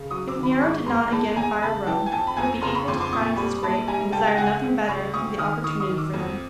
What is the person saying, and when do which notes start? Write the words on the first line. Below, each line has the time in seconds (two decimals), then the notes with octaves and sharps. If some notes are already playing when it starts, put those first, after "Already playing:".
If Nero did not again fire Rome he would be equal to crimes as great, and desire nothing better than the opportunity for them.
Already playing: C#3
0.11 F#3 C#6 D#6
0.28 D6 E6
0.36 D#3
0.43 B5
0.51 C6
0.61 G#2 B5 C#6
0.86 A1 A#5 C6
1.12 E2 A5 B5
1.36 E2 G#5 A#5
1.62 C#3 A5 B5
1.86 E3 G5 A5
2.06 G#5
2.11 F2 G5 A5
2.27 B5
2.37 F2 G#5 A#5
2.62 C#3 A#5 C6
2.75 B5 C#6
2.87 F2 C6 D6
3.00 C6 D6
3.13 A#2 C#6 D#6
3.37 G3 B5 C#6
3.63 A#1 A5 B5
3.88 G3 G#5 A#5
4.12 C#2 G5 A5
4.27 G5
4.38 C#3 F#5 G#5
4.63 C#2
4.88 C#2 B5 C#6
5.13 D2 C#6 D#6
5.38 D#3 D#6 F6
5.64 D#3 C#6 D#6
5.80 C#6 D#6
5.89 D#3
5.97 D6 E6
6.13 F2